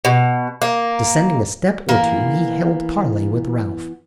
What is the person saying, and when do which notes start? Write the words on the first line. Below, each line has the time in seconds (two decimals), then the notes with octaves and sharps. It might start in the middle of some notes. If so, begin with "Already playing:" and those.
Descending a step or two he held parley with Ralph.
0.05 B2
0.62 A#3
1.89 E3 A#3 B3